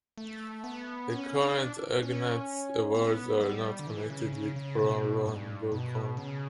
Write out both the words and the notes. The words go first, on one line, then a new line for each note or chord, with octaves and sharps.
The current Ignatz Awards are not connected with OrlandoCon.
A3
B3
C#4
D4
C#4
B3
G3
D3
E3
C#3
C#3
C#3
B2
G2
B2
C#3